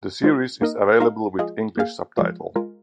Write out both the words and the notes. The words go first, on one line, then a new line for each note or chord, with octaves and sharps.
The series is available with English subtitle.
G#3 F4 C5
A#3 D#4 A#4 D#5
G#3 D#4 A#4 F5
F3 G#3 F4 G#4 D#5
A#3 G#4 F5
F3 G#3 F4
G#3 F4 A#4